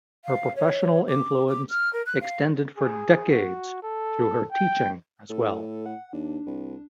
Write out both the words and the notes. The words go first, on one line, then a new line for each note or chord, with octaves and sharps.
Her professional influence extended for decades through her teaching as well.
F5
C#5
D6
D6
F6
A#4
F#6
F5
G#4
F#4
A4
G5
A2 A4
F#5
D#2 D4
C2